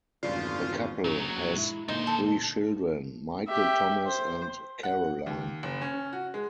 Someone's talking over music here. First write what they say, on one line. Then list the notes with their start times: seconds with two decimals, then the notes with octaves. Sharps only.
The couple has three children: Michael, Thomas, and Caroline.
0.23 G#1 E2 G2 C#3 F4 D5
1.04 A#2 F#3 C#4 D4 G#4
1.54 G#3 E4
1.88 A#2 D3 D#3 D#4 F4 C5
2.07 A4
3.48 G4 E5
4.06 C5
4.83 F#5
5.27 D#2
5.63 F#1
5.82 C#4
6.13 F#4
6.34 G#3